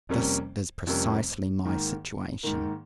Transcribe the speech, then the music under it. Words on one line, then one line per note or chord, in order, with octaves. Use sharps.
This is precisely my situation.
F2 C3 G3 A#3 C#4
F2 C3 G3 A#3 C#4
G#2 D#3 A#3
G#2 D#3 A#3